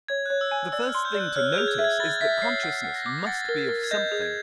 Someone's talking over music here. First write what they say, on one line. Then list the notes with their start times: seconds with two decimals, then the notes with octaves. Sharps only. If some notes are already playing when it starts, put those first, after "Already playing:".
The first thing to notice is that consciousness must be of something.
0.08 C#5 G#6
0.26 F#6
0.30 C#5
0.41 E6
0.51 G#5
0.72 D5 E6
0.89 F6
0.94 C6
1.05 G6
1.14 D5
1.20 F#6
1.36 C#5 F6
1.53 G6
1.58 G#4
1.68 G#6
1.79 E5
1.84 G#6
2.00 B5 A6
2.21 E5 B6
2.42 C#5 C7
2.63 F#5
2.84 F#5
2.96 A#6
3.06 D6
3.27 F#5 A6
3.49 A#4
3.69 A#4
3.83 G#6
3.91 D#5 G6
4.12 G#4
4.22 G#6